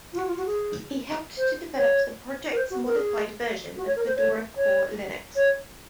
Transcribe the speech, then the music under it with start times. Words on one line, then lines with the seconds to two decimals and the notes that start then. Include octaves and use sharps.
He helped to develop the project's modified version of Fedora Core Linux.
0.13 F4
0.17 F#4
0.27 F4
0.37 F#4
0.46 G#4
1.37 C5
1.76 C#5
2.51 A#4
2.57 C5
2.70 F#4
2.85 A#4
2.96 G#4
3.77 F#4
3.86 C#5
3.96 A#4
4.06 C5
4.16 C#5
4.56 C#5
5.35 C#5